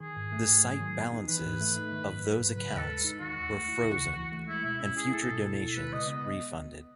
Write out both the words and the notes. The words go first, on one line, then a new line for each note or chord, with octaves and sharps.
The site balances of those accounts were frozen and future donations refunded.
D#3 G#4
G#2
A3
G#2
F#3
D#3
B3
D#4
E3 B4
G#2
A3
D#4
D#3
G#2
F#3
G#2
C#3 B4
D#2 A4
G#3
D#4
D#3 F#4
D#2
A3
E4
C#3
C#2
E3
A3
G#3 E4
B2 E4
C#4 E4
E4 G#4
A3 A4
B2
E4
B2
G#3 B4
C#3 D#5
B3 D#5